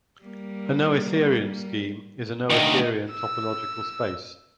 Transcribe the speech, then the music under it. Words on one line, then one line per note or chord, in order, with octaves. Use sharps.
A noetherian scheme is a noetherian topological space.
G3 A#3
D2 D#3 D#5
E6